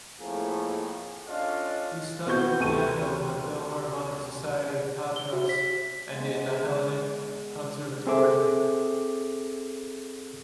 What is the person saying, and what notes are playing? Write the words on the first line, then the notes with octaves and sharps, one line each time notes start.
He studied piano in the Philharmonic Society of Patras and in the Hellenic Conservatory.
F2 A2 A#3 G#4 A4
C#4 D4 F4 A4 D#5 F5
B3 C4 F#4 C#6 G6
D2 C3 A4 G5 C#6 D#7
G7
F#4
B6
G#3 B3
C4 G#4 A4 E5 D6